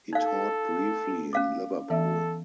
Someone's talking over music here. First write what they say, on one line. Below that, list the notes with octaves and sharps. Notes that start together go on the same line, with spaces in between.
He taught briefly in Liverpool.
D#4 A4 F5
C#4 F5 D6
E3 B3 A4 E5